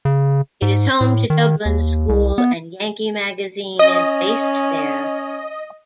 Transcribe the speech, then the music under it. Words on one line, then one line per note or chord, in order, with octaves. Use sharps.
It is home to Dublin School and "Yankee" magazine is based there.
C#3
G#2
A2
D#3
D#2
C2
B3
C#4 D#5